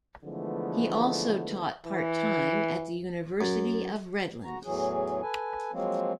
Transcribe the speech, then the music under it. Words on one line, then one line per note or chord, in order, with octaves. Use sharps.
He also taught part-time at the University of Redlands.
D3 E3 F3 G#3 A3 B3
E3
F#2
F#4 A#5
E2 A2 E3 F#3 G#4
A4 B4 G#5
F3 F#3 G#3 A#3 C4